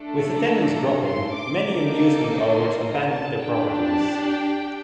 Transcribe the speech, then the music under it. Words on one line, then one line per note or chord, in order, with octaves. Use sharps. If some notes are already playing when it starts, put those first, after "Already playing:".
With attendance dropping, many amusement owners abandoned their properties.
Already playing: A3 D4 A4
A#5
A#5
C6
D6
A#3 D#4 A4 D6
C6
A#5
A5
D4 G4 G5
A5
G5